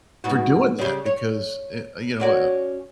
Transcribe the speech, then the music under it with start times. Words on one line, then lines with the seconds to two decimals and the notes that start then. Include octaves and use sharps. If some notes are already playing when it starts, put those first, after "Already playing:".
for doing that because, uh uh you know a a
0.24 G#2 B2 F#4
0.79 C#3 G3
1.06 C#5
2.20 C#4 F#4 D5